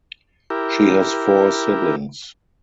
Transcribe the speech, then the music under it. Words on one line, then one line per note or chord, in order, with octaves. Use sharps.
She has four siblings.
E4 G4 A#4